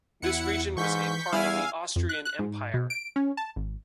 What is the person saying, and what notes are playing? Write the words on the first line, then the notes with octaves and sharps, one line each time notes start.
This region was a part of the Austrian Empire.
E2 E4 F#5 C#7
G#2 E3 C#6 G6 B6
E2 G3 E4 F5 G#5
F2
F#6
F#6
G#2
B2
D7
C#4
A5
G#1